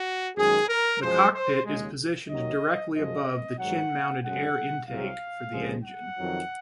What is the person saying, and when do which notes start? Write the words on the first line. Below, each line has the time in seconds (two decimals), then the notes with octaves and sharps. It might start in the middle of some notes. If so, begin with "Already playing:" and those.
The cockpit is positioned directly above the chin-mounted air intake for the engine.
Already playing: F#4
0.35 F#2 D#3 G#3 G#4
0.67 A#4
1.00 F#2 F3 G#3 C5
1.32 C5
1.65 D#2 C#3 G#3
2.29 D#2 D#3 F#3 D#5
2.93 F#2 F3 G#3 D#5
3.58 G#2 D#3 F#3 F#5
4.22 F#2 C#3 G#3 F#5
4.87 C2 C3 F#3 F5
5.51 C#2 C3 F3 G#3
5.83 F#5
6.17 F2 D#3 F#3